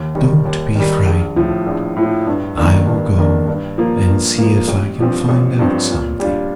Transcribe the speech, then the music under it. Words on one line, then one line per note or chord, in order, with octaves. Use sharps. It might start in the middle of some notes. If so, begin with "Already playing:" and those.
'Don't be frightened; I will go and see if I can find out something.'
Already playing: D#2
D#3 G3
D#2
D#3 G3
A#1
A2 F3
A#1
A2 F3
G2
D#3 A#3 D4
G2
D#3 A#3 D4
G2
F3 A#3
G2
F3 A#3
A1
G2 F3 C4
A1
G2 F3 C4
A#2
G3 D4 F4